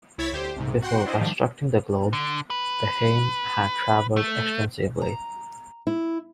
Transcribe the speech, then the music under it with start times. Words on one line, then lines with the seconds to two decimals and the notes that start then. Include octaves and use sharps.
Before constructing the globe, Behaim had traveled extensively.
0.18 C2 E4 C#5 G#6 A6 B6
0.32 D2 G4 C5
0.56 C2 G#2 C3
0.82 F#4 F#5 G5 C6
1.06 D4 E4 C5 D#5
1.20 G#2 D#3 F3 G3 D4
2.13 D3
2.50 B4
4.17 A3
5.01 A#5
5.87 E4